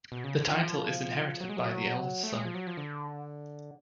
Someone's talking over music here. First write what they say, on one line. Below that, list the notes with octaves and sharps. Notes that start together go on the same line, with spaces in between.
The title is inherited by the eldest son.
B2
C#3
D3
F3
F#3
G#3
F#3
A3
G#3
F3
F#3
F3
D3